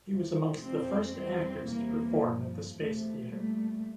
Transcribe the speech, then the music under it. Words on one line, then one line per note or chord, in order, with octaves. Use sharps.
He was amongst the first actors to perform at the Space Theatre.
E2 C3 F3
F2 C3 F3 C4
E2 E3 G3 C4
E2 C3 E3 G3 A#3
G2 F3
E2 C3 F3 A3
A#2 G3 A3